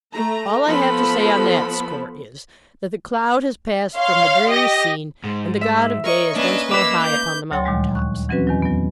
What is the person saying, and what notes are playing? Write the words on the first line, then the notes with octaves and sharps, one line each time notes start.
All I have to say on that score is, that the cloud has passed from the dreary scene, and the God of Day is once more high upon the mountain tops.
A3 A#5
F3 B3 A4 B5
C#5 F5 C6
G4 D#5 A#6
G#2
E5
A#4 C#5 D#5 C#6
A#3 C#4 D4 B4 D#5
A#3 B4 D6 E6
G6
D2 F#3 C#5 G5 C6 A6
D#2 A#2 D#3 F3 G3 G#3
C#6 F#6
E3 F#3 C4 C#4 F#4 B4
E2 D#3 F#3
F#3 B3